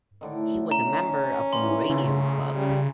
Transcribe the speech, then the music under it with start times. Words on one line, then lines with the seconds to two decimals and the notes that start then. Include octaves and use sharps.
He was a member of the Uranium Club.
0.21 A2 D3 D#3
0.71 C#4 A#5
1.53 E3 G3 A#3 C6
1.90 C#3 A3 F4 F#5
2.55 G3 G#5